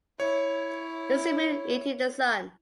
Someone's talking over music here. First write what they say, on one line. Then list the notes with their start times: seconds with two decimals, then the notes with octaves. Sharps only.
Is the moon eating the sun?
0.20 E4 C#5